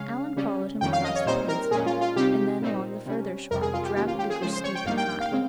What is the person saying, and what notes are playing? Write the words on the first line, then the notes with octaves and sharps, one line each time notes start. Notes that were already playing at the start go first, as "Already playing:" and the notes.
Alan followed him across the peninsula and then along the further shore, which rapidly grew steep and high.
Already playing: C#3 G#3 C#4 F5
C#3 G3 C#4
F2 D#3 G3 C#4 G5
F5
D#5
C#5
A#2 G3 C4 D#4 C5
A#4
A#2 G#3 C#4 G#4
F4
F4
C3 G3 C4 D#4 G4
A#2 G3 C4 D#4
C3 G3 C#4
F2 C3 G3 A#4
G#4
F4
G4
D#3 A#3 C#4 G4
F4
G4
G#4
C#3 F3 G#3 C#4 C5
C5
C#5
G5
G2 G3 A#3 D#4 F5
G5
G5
F5
C#3 G#3 C4